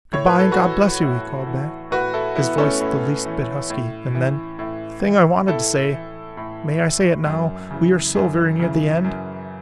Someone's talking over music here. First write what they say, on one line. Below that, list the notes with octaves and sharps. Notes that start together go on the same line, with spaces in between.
"Good-bye, and God bless you!" he called back--his voice the least bit husky--and then: "The thing I wanted to say--may I say it now, we are so very near the end?"
A2 C#5
B4
A4
F#4 B4
E3
A2
E3
A2 F#4 B4
E4 A4
E3 B3 E4
A3 C#4
A2
E3
A2
E3
A2
E3
A2 E4 A4
E3
A2
E3
F#2
C#3 E3
F#2
C#3 E3
F#2